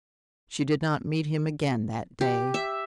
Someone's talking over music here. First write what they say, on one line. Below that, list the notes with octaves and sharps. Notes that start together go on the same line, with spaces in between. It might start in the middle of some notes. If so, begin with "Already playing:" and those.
She did not meet him again that day.
G4
E5